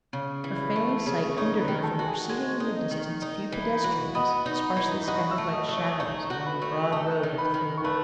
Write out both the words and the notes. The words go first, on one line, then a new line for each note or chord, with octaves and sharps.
Her failing sight hindered her from perceiving in the distance a few pedestrians, sparsely scattered like shadows, along the broad road of the faubourg.
C#3
E3
A3
C#3
D#4 C#5 C#6
B4 B5
D#3
A4 A5
F#4
G#4 G#5
G#3
D#4
D#5
D#3
D#4
E3
F#4
B3 D#5 D#6
D#4
E3
F#4 D#5 D#6
E5 E6
A3
D#5 D#6
A3
C#5 C#6
D#6
D#4 C#5 C#6
F#4
B4 B5
A3
D#4 A4 A5
D#3
B4 B5
D#3
C#6
A3 B4 B5